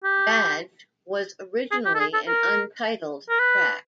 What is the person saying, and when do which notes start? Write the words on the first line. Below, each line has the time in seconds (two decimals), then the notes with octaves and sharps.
"Badge" was originally an untitled track.
0.04 G4
1.71 G#4
1.85 G4
1.95 A4
2.00 G#4
2.13 A4
2.27 A#4
3.29 A#4
3.40 B4